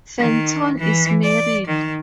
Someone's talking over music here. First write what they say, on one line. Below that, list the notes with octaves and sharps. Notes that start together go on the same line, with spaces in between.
Fenton is married.
D#3
E3
D5
D#3